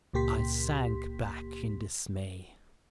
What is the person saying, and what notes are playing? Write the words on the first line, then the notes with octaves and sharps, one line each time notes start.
I sank back in dismay.
C#2 A#2 A#3 G4 C6 B6